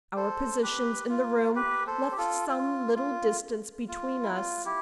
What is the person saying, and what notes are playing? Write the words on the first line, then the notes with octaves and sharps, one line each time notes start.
Our positions in the room left some little distance between us.
A4 C5
G4 B4
F4
G4 B4
A4 C5
G4
F4 A4
F4
F4
F4
E4
F4
E4 G4